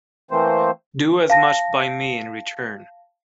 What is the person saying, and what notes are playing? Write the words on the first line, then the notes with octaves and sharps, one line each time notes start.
Do as much by me in return.
E3 A3 A#3 C4 C5
F5 A5 A#6